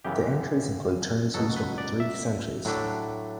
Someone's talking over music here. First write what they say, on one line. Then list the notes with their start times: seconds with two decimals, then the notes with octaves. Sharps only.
The entries include terms used over three centuries.
0.04 F#2 C#3 E3 B3 G4
1.34 C#2 B2 F#3 A4
1.56 B4
1.78 D5
2.00 E5
2.65 A2 F#3 A3 D4